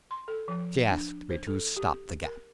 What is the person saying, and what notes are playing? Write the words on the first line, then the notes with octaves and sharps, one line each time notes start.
She asked me to stop the gap.
C6
A4
F3
D4
C5
A4
G4
A#4